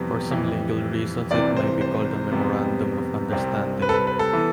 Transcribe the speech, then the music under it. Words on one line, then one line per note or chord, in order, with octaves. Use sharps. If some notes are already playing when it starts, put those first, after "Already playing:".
For some legal reasons it may be called a Memorandum of Understanding.
Already playing: F2 C3 E3 G3 B3
F2 E3 G3
C2 C3 E3 D5
C5
C5
F2 C3 G3 B3
C2 C3 G3 C4
B4
A4
B4
B4
A4
E3 B3